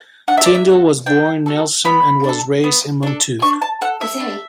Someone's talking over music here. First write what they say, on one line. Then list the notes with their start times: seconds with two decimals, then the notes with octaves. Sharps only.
Tindill was born in Nelson and was raised in Motueka.
0.28 D4 F#5
0.37 E5
0.46 D5
0.55 E5
0.67 F#4 A4
1.06 D4 G5
1.46 F#4 A4
1.85 B3 B5
2.24 D4 A4
2.64 B3
3.03 D4 A4
3.42 D4 C#6
3.62 A5
3.81 A4 F#5
4.01 E5
4.20 D4